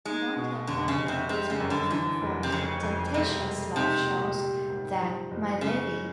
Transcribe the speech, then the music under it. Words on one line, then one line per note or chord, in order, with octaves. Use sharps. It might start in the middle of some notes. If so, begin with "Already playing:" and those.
"Don't Look Back" was more often performed at Temptations live shows than "My Baby".
G#3 D#4
B2
F1 D3
C#3
F1
C3
C3 G#3
C#3
F#2
D3
D3 E3
F1
C3
F2 C#3
F2
E1 C3
E1
C3 D#4
A#2
G3
G#1
F3
F#1
C#3 G#3